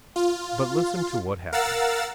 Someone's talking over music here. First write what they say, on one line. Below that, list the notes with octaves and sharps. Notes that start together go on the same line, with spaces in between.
But listen to what happened.
F4
A#4 F5 F#5 E6 A6